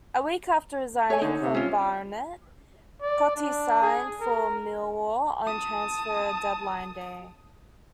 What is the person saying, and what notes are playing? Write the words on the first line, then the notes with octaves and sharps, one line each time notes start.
A week after resigning from Barnet, Cottee signed for Millwall on transfer deadline day.
A3 C#5 G#5
D3 D#4
C3
C#4 F4
D5
D4
G#4
A#4
A5 D#6